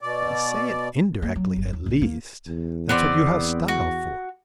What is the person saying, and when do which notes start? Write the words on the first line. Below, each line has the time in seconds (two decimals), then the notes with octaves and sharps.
Say it indirectly, at least; that's what you have style for.
0.01 B2 D5
1.22 A#3
1.36 F#3
1.56 G1
1.73 D#2
1.86 A#1
2.01 A#3
2.48 E2
2.89 B3 C4 D5
3.68 F#4